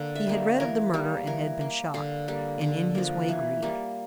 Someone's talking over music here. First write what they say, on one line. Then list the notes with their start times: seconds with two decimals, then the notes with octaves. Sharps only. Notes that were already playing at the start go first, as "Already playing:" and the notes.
He had read of the murder, and had been shocked, and, in his way, grieved.
Already playing: D3 A#3
0.15 E5
0.27 G3 A#3
0.60 E3 A#4
0.94 G3 A#3
1.27 E3 A#4
1.61 A#3
1.94 D3 F5
2.28 G3 A#3
2.61 D3
2.95 F3 A#3
3.29 E3
3.62 G3 A#3